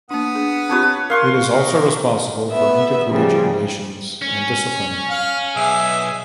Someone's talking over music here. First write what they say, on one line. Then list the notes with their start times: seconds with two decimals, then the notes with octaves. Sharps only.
It is also responsible for intercollege-relations and discipline.
0.10 A#3 B3 D4 F#5 D#6
0.35 D4 G#4
0.69 C4 F4 G4 B4 C#5 A5
1.10 A#4 F5 C6 C#6
1.51 D#3
2.50 B3 E5
3.07 C#3 F3 G3
4.22 C#4
5.10 F5
5.56 B1 G#4 E5 G#5